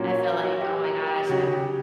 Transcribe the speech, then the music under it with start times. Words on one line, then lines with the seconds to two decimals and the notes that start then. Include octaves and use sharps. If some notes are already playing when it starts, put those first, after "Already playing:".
I feel like, "Oh my gosh. I'm"
Already playing: A#2 F#3 A#3 C#4
0.10 C#5
0.26 A#4
0.44 F#4
0.61 G4
0.84 A#4
1.07 G4
1.29 C#3 F#3 C#4 F#4
1.52 G4